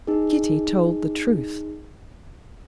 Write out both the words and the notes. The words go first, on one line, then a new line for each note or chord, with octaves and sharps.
Kitty told the truth.
D#4 G#4